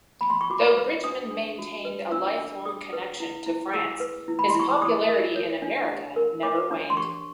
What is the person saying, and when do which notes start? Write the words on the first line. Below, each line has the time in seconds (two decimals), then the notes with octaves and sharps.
Though Bridgman maintained a lifelong connection to France, his popularity in America never waned.
0.21 B5
0.30 C6
0.41 C#6
0.50 F#4 D6
0.77 B4
1.04 D4 D#6
1.31 D4
1.58 F#4
1.85 B4
2.12 D4 E6
2.38 D4
2.66 G#4 D#6
2.93 B4
3.20 E4
3.46 E4
3.73 G#4 E6
4.00 B4
4.28 E4
4.39 B5
4.49 C6
4.55 E4 C#6
4.71 D6
4.81 G4 D#6
5.09 A#4
5.36 C#5
5.62 D4
5.90 G4
6.16 A#4
6.43 C#5 D6
6.71 D4
6.90 C6
6.97 G4 C#6